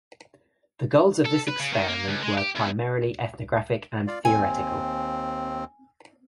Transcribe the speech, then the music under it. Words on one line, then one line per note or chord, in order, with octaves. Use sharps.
The goals of this experiment were primarily ethnographic and theoretical.
A4
B4
C#3
D#3
A#3
C#2
G#3
G4
E2
F4 D5 F5
D#2 C4 G#5